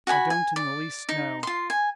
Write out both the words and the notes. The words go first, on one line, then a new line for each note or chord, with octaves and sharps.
"I don't in the least know."
F#4 F#5 G#5 B5
G#5
D5
D#4
F4 C6
G#5